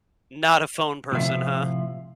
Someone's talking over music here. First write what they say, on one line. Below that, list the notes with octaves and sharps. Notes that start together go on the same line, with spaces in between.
Not a phone person, huh?
A2 C3 F3 F#3 E5 F5